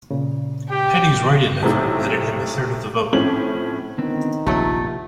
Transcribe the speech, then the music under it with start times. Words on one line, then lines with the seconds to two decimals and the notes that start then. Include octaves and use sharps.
Peddy's write-in effort netted him a third of the vote.
0.11 A#2 C#3
0.71 G4 G5
1.63 B1 A2 C3
3.13 A2 F3 C4 C#4 F#7
3.98 D3 D#3 B3 C4
4.47 F1 A#1 F#3 A3 A#3 F4 G4